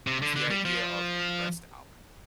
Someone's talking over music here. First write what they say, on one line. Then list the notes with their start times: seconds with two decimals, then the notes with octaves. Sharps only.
is the idea of a rest hour.
0.07 C3
0.22 D3
0.36 D3
0.51 G3
0.65 F3